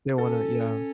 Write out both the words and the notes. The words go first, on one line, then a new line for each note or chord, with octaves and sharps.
they wanna yeah.
C#4 A4